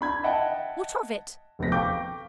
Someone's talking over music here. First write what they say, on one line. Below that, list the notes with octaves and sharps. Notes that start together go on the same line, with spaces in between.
"What of it?"
D4 B5 G#6
D#5 E5 F#5 G5 A5
F1 A#1 A3 B3 A#6 B6
F5 G5 C#6 D6 G6